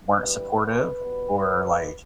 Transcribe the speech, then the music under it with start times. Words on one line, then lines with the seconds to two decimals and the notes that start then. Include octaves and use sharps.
weren't supportive, or like,
0.18 G2 E3 G3 B4
1.01 B2 G3 B3